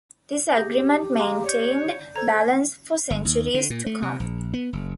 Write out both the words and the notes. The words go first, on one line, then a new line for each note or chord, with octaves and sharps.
This agreement maintained balance for centuries to come.
G4 G#4 G6 A#6
G#4 F5 A#5 C6 D6
C#5 D5 G6
A4 C5 A#5 G#6
G1
D#2
D3
A#2
A3
C3
A#1
B3
F#1